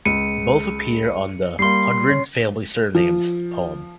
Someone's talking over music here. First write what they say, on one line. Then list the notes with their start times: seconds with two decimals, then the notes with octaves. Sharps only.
Both appear on the "Hundred Family Surnames" poem.
0.06 C#2 C#7 D#7
1.59 G3 A#3 C6 C7
2.09 C#4
2.95 F3